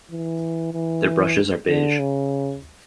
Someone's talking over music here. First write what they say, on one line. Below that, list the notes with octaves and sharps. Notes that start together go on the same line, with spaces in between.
Their brushes are beige.
E3
E3
D3
C#3